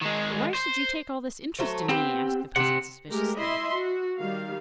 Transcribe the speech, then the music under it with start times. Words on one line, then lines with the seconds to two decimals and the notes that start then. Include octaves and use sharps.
'But why should you take all this interest in me?' asked the peasant suspiciously.
0.01 D#3 G#3
0.55 C5
1.59 F#3 A3 C5
1.89 B3 C4 G4 G5
2.56 C3 C4 F#5
3.08 G#3 A3 G4 A#4
3.38 E4 D#5 E5 B5 C6
3.72 F#4
4.19 D#3 G3 F5